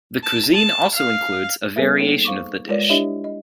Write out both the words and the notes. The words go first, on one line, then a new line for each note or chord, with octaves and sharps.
The cuisine also includes a variation of the dish.
A5
A5
F5
G3 B3 G#4 A4 B4 E5
A#3 D#4 A4 C#5
C5 F5 C#6 D6
G#3 F4 A#4 B4 C#5 D5
D4 E4 G4 C#5 D#5 E5
D#5